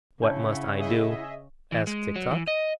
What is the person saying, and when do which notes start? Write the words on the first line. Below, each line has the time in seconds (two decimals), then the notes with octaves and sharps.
"What must I do?" asked Tik-Tok.
0.22 C#3 D4 E4 C#5 F#5 A5
0.78 G#4 D#5 E5
1.72 E3
1.87 G#3
2.16 F#3
2.31 E3
2.48 D#5